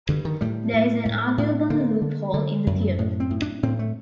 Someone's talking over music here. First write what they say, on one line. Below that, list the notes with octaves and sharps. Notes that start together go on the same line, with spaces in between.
There is an arguable loophole in the theorem.
G2 D3
D#3
A2 G3
A2
A2
A2
D3 A#3
D3
D3
F#2
A2
C4
A2
D4
A2 C4
A3